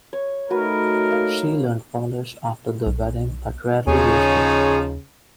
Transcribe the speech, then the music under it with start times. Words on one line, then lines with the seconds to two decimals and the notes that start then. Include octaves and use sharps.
She learned Polish after the wedding but rarely used it.
0.13 C#5
0.50 A3 D#4 F#4 A#4 B4
1.11 A#3 F5
2.87 B1
3.87 D#2 C#3 F3 D#4 G#4 C#5 G#5